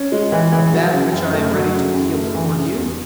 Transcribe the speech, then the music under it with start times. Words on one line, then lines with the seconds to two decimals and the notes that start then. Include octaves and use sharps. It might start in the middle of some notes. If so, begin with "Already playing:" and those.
"Of that which I am ready to feel toward you."
Already playing: C#4
0.12 G#3
0.32 E3
0.52 E3
0.73 F#3
0.93 C#3
1.13 F#2
1.33 A3
1.53 F#3
1.74 C#3
1.94 F#2
2.14 A3
2.35 E3
2.55 C#3
2.75 E2